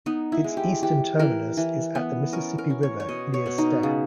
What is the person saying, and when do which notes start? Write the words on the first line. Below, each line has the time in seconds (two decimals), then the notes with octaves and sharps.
Its eastern terminus is at the Mississippi River near Ste.
0.06 B3 D#4
0.32 E4
0.44 G#3
0.57 G4
0.83 E3 G4
1.19 E3 A#4
1.57 E3
1.95 B3
2.33 C#4 A#4
2.58 A#4
2.70 C#4
2.83 C#5
3.00 C#5
3.08 B2 D#5
3.34 C#5
3.46 B2
3.58 D#4
3.83 C#3